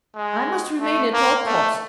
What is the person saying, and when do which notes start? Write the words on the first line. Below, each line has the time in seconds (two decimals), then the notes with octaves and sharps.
I must remain at all costs!
0.15 G#3
0.81 A3
1.13 A#3
1.46 A3